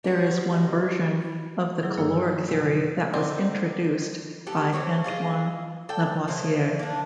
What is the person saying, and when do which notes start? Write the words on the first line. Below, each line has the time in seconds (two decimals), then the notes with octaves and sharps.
There is one version of the caloric theory that was introduced by Antoine Lavoisier.
0.04 G3 F#4 C#5
0.50 D#5
1.21 E4
1.82 D#3 F#3 E4 G#4
1.97 G2 D#3 A#3 A4 C#5 E6
2.17 D5
2.49 C3 F#3 C5 G#5
3.14 D3 C4 D#4
4.46 G3 B3 G4 A4
4.73 E3 C4 C#4 G4
5.04 F4 G#4 D5 D#5
5.89 A4 D5 G5
6.28 C#3 E3 C5
6.79 A#3 D4